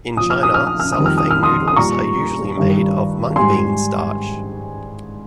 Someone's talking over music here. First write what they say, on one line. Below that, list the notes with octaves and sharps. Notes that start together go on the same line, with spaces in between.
In China, cellophane noodles are usually made of mung bean starch.
A#2 F3 D#6
F6
D#6
F6
D#6
F6
D#6
F2 D#3 G3
F6
D#6
F6
C6 D#6
D#6
A#2 G3 A#5 C#6
G2 D#3 G3
G#2 G3 G#5 C6